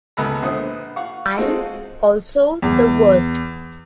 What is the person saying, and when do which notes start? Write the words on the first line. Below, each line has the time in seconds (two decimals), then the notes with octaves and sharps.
And also the worst.
0.17 C#2 B3 A4 A#5 B5
0.42 A#1 D3 B3 C5 D#6
0.96 F5 F#5 C#6
1.36 G#3 C4 D#4 F4 F#4 A4
2.62 E2